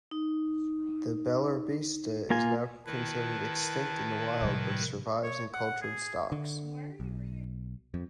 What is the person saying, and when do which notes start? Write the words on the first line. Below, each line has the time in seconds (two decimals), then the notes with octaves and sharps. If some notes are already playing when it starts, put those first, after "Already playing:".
The beloribitsa is now considered extinct in the wild, but survives in cultured stocks.
0.11 D#4
2.30 A#3 F4 G#5
2.86 D#3 E4 B4 A5
4.41 A2 C3 F3 G3
5.23 C#5
5.53 F#5
5.82 G#4
6.32 D3
7.00 B1
7.94 F2